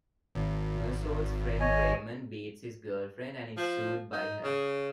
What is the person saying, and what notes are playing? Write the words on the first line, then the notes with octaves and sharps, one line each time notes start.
Mersault's friend Raymond beats his girlfriend and is sued by her.
G#1
C#5 D#5 G#5
F3
D#4
C#3